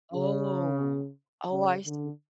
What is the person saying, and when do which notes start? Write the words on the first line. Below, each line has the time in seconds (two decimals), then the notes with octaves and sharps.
Oh. Oh, I see.
0.14 C#3
1.51 C#3
1.86 D3